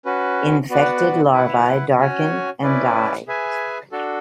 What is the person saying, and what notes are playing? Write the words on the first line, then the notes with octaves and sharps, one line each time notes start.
Infected larvae darken and die.
C#4 F#4 B4
B3 F#4 B4 D5 F#5
E4 B4 F#5
C#4 F#4 C#5 G#5
C#4 E4 B4 D5
G#4 B4 E5 G#5
D4 F#4 A4